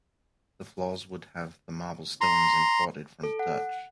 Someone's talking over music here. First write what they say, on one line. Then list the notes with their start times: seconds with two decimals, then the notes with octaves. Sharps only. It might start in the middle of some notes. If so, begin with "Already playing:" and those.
The floors would having the marble stones imported from Dutch.
2.21 A#5 C6
3.23 A4
3.39 F#5